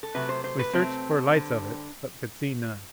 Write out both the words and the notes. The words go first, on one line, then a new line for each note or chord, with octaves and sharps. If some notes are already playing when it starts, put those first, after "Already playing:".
We searched for lights of it, but could see none.
A4
C3 F#3 A3 B4
C5
C5
B4
C3 F#3 A3 C4
D3 G3